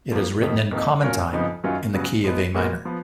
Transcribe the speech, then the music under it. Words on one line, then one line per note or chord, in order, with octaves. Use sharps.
It is written in common time in the key of A minor.
F2 F3 A#3
F2 D#3 F#3
F2 D#3 A#3 D#4
F#3 C#4 F4 A#4
F2 C#3 F3 B3 D#4
F#2 D#3 F#3 C#4 F4
C#3 F#3 B3 F#4
F3 G#3 B3
A#2 G#3 B3 F#4 A#4
F3 B3